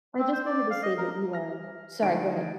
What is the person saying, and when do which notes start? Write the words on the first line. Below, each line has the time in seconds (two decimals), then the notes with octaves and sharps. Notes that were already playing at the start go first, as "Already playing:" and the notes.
I just wanted to say that you are Sorry, go ahead.
0.18 C4
0.33 C5
0.46 D5
0.70 F5
0.83 D#5
0.98 A#4
1.33 F6 A#6
2.02 D2 D#4 D7